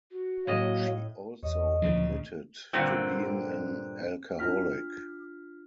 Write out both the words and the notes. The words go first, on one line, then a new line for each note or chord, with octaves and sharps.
She also admitted to being an alcoholic.
F#4
A2 F#3 A#3 D#5
E2 C#5 D#5
D2 A#2 C#3 F3
G2 A#2 D3 C4
D4 F4 F6 B6